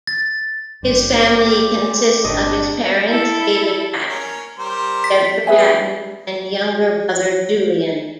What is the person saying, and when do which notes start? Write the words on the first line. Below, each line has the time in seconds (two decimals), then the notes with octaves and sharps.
His family consists of his parents David Patton, Deborah Patton and younger brother Julian.
0.07 A6
0.83 G#1 G2 G4 C5 D5
2.24 G1 A#2 D#3 C4 D4 D#5
3.08 E4 A4
4.09 C#4 A#4 C#5
4.58 G3 A#4 C5
5.04 B6
5.47 G#4 B4 E5 G#5